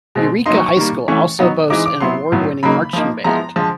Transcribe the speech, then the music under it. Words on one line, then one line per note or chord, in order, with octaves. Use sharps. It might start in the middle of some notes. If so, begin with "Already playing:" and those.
Eureka High school also boasts an award-winning marching band.
B2 G#3 C4
F#3 A#3 D#4 C6
C#6
C#6
D#3 G3 A#3
E3 A3 C#4 C#6
F#3 B3 D#4
E3 G#3 C4 D#4 D6
D6
F#3 B3 E4 C6
A2 F#3 B3
C#3 F#3 A#3 D#4 B5
F3 A#3 D#4
F3 G#3 B3 E4 A#5
D3 F3 G#3 A5